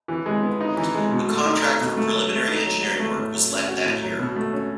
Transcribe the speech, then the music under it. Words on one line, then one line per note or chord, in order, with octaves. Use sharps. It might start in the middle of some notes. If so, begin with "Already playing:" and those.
A contract for preliminary engineering work was let that year.
E3
G#3
B3
D#4
E3
G#3
B2
A3
D#4
A4
B2
A3
F#3
A3
D#4
F#3
F#3
A3
A2
F#3
C#4
F#4
A2
F#3
B2
A3
C#4